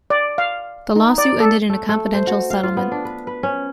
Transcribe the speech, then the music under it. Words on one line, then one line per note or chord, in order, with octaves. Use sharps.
The lawsuit ended in a confidential settlement.
D5
F5
D#4
D5
A4
A3
A3
C5
F#4
F5
F4
B3
D4
B4
B4
C#4